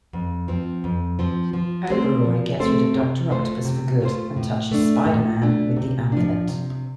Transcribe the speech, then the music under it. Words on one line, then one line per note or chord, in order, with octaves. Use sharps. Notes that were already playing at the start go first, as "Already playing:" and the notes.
Oberoi gets rid of Doctor Octopus for good and touches Spider-Man with the amulet.
F2
F3 C4
F2
F3 C4
F3
A3 C4 A4 C5
F3
A3 C4 A4 C5
C3
A3 F4 C5
C3
A3 F4 C5
A2
A3 D4
A2
A3 D4
C3
F3 D4
C3